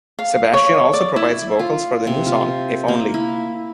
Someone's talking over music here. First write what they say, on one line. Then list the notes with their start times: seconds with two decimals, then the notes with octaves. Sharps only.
Sebastian also provides vocals for the new song "If Only".
0.19 F5
0.54 C#5
0.93 D5
1.16 E4
1.59 F4
2.07 C3
2.26 F4
2.88 A#3
3.14 E4